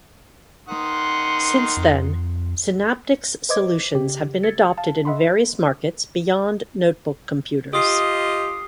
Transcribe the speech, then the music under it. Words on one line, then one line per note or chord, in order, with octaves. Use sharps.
Since then, Synaptics' solutions have been adopted in various markets beyond notebook computers.
D#3 F#5 C6 D#6
F2
B4 C5 D#5 D6 G#6
C#3 G4 B6
E6 G#6 A6 C#7
F5 A5
D#5 E5 F#5 B5 C6
F4 G4 D#5 D#6 C7